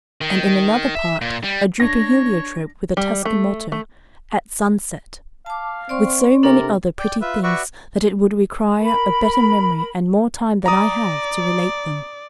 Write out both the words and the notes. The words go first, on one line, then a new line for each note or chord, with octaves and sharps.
And in another part a drooping heliotrope with a Tuscan motto: AT SUNSET--with so many other pretty things that it would require a better memory and more time than I have to relate them.
D#3
E5
A#2
G3
D4 C#5 A#6
G3
A3
A3
F5 A5 D6
C4 D5 C6 C#6
C3 C4 D4 A4 A#4
D5 G5
F4 B4 E5
F#4 B4 D5 E5 F#5 C#6
A#4 B5
D5 A#5 D#6